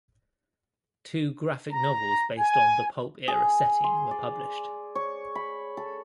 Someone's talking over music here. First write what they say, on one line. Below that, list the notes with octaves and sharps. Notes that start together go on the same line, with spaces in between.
Two graphic novels based on the Pulp era setting were published.
A#5
G#5
G#4
C6
D5
C#5
B5
A4